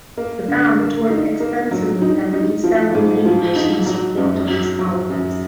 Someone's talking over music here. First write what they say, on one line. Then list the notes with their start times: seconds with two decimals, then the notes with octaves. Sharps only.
The band toured extensively and released several videos in support of these albums.
0.17 A#3
0.48 D3
0.79 A#3
1.10 D#4
1.40 A#3
1.71 F#3
2.02 D#4
2.33 D#4
2.64 F3
2.95 G#2
3.25 F3
3.56 D#4
3.86 F#3
4.17 F#2
4.48 F#3
4.79 F#3
5.10 F#2